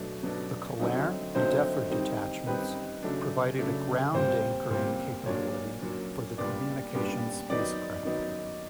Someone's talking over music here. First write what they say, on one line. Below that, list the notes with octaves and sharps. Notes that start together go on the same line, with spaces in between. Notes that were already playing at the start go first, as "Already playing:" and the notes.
The Colerne and Defford detachments provided a ground anchoring capability for the communications spacecraft.
Already playing: B2 F#3 A3 D4
B2 F#3 A3 D4
D3 F#3 A3 C4 D#4
D3 F#3 A3 C4 D#4 C5
D#3 G3 C4 D#4
D#3 G3 C4 D#4 B4
C#3 F#3 A3 D4
C#3 F#3 A3 D4
A#2 G3 C4 C5
A#2 G3 C4
A#2 F#3 A#3 D4 C#5
A#2 F#3 A#3 D4
A#2 G3 B3 D4 D5
A#2 G3 B3 D4
D#3 F#3 B3 D#4 D5
D#3 F#3 B3 D#4